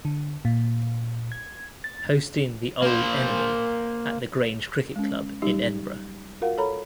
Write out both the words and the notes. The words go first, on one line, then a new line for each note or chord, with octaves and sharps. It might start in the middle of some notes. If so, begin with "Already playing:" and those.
Hosting the Auld Enemy, at the Grange Cricket Club in Edinburgh.
D3
A#2
G#6
A6
A#3 C5
G#3 C#4
F#3 G3 D#4 G4
F4 F#4 A#4 F5 F#5
A4 C#5 A#5 B5